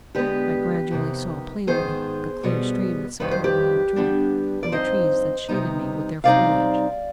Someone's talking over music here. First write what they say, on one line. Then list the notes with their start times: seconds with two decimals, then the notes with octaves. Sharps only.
I gradually saw plainly the clear stream that supplied me with drink and the trees that shaded me with their foliage.
0.15 D3 G#3 B3 G4 B4
0.91 F2 C3 D#3 B3
1.67 G#2 D#3 B3 G#4 C5
2.43 B2 G3 B3
3.20 F2 D#3 G3 B4
3.31 C5
3.44 G4 B4
3.96 D3 G3 B3 D4
4.63 D5
4.72 G2 D3 F3 C4 D#4 C5 D#5
5.48 C3 G3 B3 D#4
6.24 C3 G3 C4 D#4 D5 F5